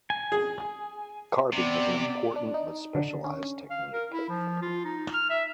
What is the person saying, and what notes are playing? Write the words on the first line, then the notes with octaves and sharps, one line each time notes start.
Carving is an important, but specialised technique.
G#5
G#4
C3 B3 D5
D4
D#4
D3
C#4
F5
A#4
E4
F3
F4
D#4
F6
E5